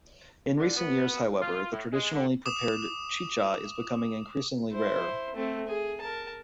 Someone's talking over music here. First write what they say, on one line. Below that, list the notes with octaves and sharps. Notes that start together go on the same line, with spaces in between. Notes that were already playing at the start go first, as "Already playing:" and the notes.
In recent years, however, the traditionally prepared chicha is becoming increasingly rare.
D3
B3
F4
A2
G#3
D3
D6 D#6 E7
E4 C5
A3 C4
G#4
A#4 A5